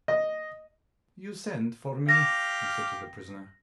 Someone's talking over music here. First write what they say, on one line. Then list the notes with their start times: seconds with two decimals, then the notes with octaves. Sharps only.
"You sent for me?" he said to the prisoner.
0.08 D#5
2.09 G4 F5 A#6